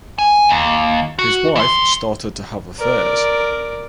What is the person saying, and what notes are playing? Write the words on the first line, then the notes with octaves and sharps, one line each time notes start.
His wife started to have affairs.
G#5
D#2
F#4
E3 C6
A#4 D5